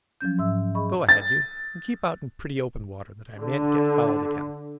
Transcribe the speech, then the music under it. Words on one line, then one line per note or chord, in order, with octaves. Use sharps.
Go ahead you, and keep out in pretty open water, that I mayn't get fouled again.'
F3 F#3 C#4 G6
G#2 E5 E6
G#4 D#5 B5 C#6
A6
D3